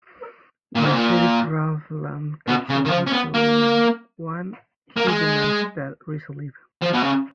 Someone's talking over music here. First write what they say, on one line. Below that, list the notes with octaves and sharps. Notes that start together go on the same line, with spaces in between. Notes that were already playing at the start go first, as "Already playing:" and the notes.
When Sheriff Ralph Lamb catches Rizzo in one, he demands that Rizzo leave.
A#2
G#2
A#2
B2
C#3
D#3
F3
C#4
B3
A#3
A#3
G#3
F3
B2
C#3